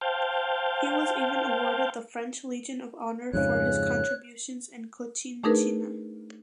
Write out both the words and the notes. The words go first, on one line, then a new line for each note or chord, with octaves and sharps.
He was even awarded the French Legion of Honor for his contributions in Cochinchina.
C5 F5 G5 A5
F2 G#2 C#3 C#5 F#6
A3 D4 D#4 G#4 A#4 B4